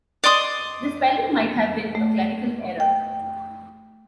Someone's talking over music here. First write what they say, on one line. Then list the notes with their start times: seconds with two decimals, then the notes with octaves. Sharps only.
This spelling might have been a clerical error.
0.24 D5 D#5 C6 D#6
1.95 A3
2.80 G5